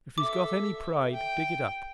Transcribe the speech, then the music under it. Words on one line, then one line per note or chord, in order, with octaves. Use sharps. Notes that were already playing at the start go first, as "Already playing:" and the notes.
If he's got any pride, dig it up.
A4 E5 D6
G5